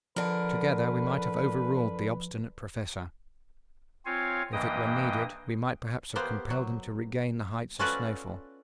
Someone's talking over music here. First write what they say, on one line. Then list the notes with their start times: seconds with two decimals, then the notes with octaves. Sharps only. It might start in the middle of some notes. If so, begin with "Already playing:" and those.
Together we might have over-ruled the obstinate Professor; if it were needed, we might perhaps have compelled him to regain the heights of Snaefell.
0.16 D3 F3 A#4 B4
4.06 C4 F4 C#5 F5 G#5
4.52 G2 E3 A#3 D#5 G5 D#6
6.16 A#3 B3 G4 C5
6.50 F#3
7.79 C#4 F4 F#4 A4 B4 D5